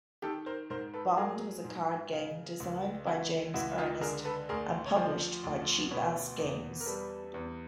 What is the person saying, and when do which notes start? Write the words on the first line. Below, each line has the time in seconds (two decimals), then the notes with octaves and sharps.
Bond was a card game designed by James Ernest and published by Cheapass Games.
0.22 D#3 G4 A4
0.46 A#4 C5
0.70 G#2 A#4 C5
0.94 A4 B4
1.17 F#3 G#4 A#4
1.65 G#2
2.12 C#3
2.60 C#2
3.06 E3 E4 F#4
3.54 C#2 E4 F#4
3.78 D#4 F4
4.01 D3 G#4 A#4
4.25 A4 B4
4.49 D2 G#4 A#4
4.86 C#5
4.96 F3 C5 D5
5.44 D2
5.91 B2 B4 C#5
6.38 E2
6.80 A#4
6.86 G3 A4 B4
7.34 E2